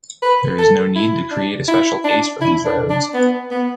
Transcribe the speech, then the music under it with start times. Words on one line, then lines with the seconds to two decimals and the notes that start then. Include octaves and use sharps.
There is no need to create a special case for these roads.
0.22 B4
0.59 A4
0.96 E4
1.31 D4
1.68 E4
2.04 D4
2.41 E4
2.65 D4
2.90 D4
3.14 B3
3.51 B3